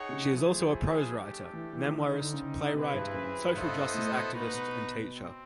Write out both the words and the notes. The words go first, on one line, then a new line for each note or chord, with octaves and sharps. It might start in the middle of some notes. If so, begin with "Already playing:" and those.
She is also a prose writer, memoirist, playwright, social justice activist and teacher.
Already playing: D#4 G#4 C#5 F#5
C3
C#3
F3 A3 C4 E4 G#4 C5
F3
A3 D4 G4
E3
E3
E3
D#3 G3 C4 D#4
D3
D3
C#3
C3 C4 E4 G#4 B4
G2
F#2
G2 B3 E4 A4 C5 D#5
A2
B2
A#2 D#4 F#4 B4
B2
C4